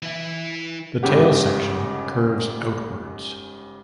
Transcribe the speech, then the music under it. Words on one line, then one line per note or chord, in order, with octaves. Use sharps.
The tail section curves outwards.
E3 E4
G1 G#2 C#3 C#4 G4 F#5